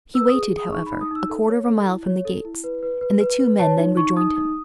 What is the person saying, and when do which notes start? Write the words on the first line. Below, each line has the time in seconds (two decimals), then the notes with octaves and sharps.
He waited, however, a quarter of a mile from the gates, and the two men then rejoined him.
0.14 B4 E6
0.29 G#4 D#6
0.53 G#4 D#6
0.72 D#4 C#6
0.86 B5
0.92 D#4
1.01 D#6
1.11 D#4 E6
1.30 A4
1.49 C#5
1.68 A4
1.87 E4
2.06 C#5
2.25 A4
2.45 E4
2.64 B4
2.83 B4
3.01 B4
3.21 B4
3.39 B4
3.59 C#5 A5
3.78 D#4
3.97 D#4 C#6
4.16 D#4 D#6
4.36 D#4